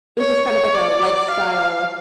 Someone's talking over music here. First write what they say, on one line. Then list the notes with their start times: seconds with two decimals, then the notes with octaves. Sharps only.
It's just kind of like a lifestyle
0.18 C#5
0.47 C#5
0.74 D5
1.31 F5